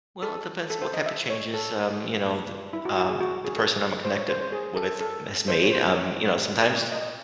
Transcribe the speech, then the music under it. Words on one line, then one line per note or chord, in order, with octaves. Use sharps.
Well, it depends what type of changes, um, you know, the um, the person I'm, uh, connected with has made. Um, you know, sometimes
A4
A4
C5
D#5
E5
C#5
A4
E4
F#4
F#4
G#4
F#4
G#4
A4
C5
C#5
C5
C5
G#4
A4
A4
C5
C#5
C5
C#5
D#5